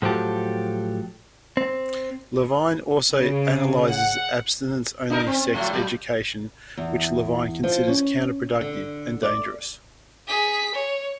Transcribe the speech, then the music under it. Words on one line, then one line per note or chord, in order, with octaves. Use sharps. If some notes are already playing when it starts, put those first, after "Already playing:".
Levine also analyzes abstinence-only sex education, which Levine considers counter-productive and dangerous.
A2 F3 F#3 G4 A4
C4
C#3
F#5
D4 D#4 A#4
C4
A2 F3 A3
F#3
E2
F3
C#4
D3
D5
G#4 B6
C#5